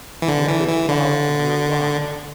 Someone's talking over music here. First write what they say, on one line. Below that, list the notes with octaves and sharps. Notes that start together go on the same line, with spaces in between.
The others paused for the reply.
E3
D3
E3
E3
D3